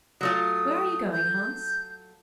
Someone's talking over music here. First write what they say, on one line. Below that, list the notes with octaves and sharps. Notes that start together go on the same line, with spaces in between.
'Where are you going, Hans?'
F#3 A3 F4 D#6
G6